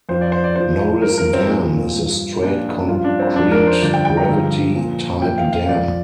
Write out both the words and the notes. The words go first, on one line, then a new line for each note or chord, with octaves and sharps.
Norris Dam is a straight concrete gravity-type dam.
F2 F3 C5
D5
C5
D5
F2 F3 C5
G2 F3 A#4
A#4
C4
A#2 F3
G2 F3
A#2 F3 D4
G2 F3 F4
D4
C4
F2 F3 D4
A#4
C5
G2 D3 F3 D5
G5
G5
A#5
G2 D3 F3
A#2 F3
A#2 F3 G5
F5
F5
F2 F3 D5